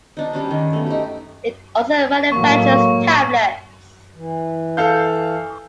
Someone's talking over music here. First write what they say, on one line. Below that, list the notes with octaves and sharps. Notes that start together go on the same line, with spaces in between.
It also manufactures tablets.
D4 D#4
G3 C#4 D4
D#3
A3 B3
D#4 G4
A2 F#3 G#3 A#3 C#6
E3
A4 F5 G6